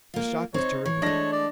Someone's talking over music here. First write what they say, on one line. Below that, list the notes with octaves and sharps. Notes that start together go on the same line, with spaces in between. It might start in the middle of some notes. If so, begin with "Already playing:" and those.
The shock was terrific.
A#3 F4
C4 D#4 C#5
E3 C#5
G#3 A3 D4 A#6
D5